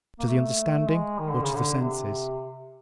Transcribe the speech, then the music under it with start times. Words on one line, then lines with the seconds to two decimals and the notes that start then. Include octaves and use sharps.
To the understanding or to the senses?
0.19 A#3
0.27 A3
0.88 G#3
1.19 D#3
1.31 D3
1.43 C#3
1.55 D3
1.81 C3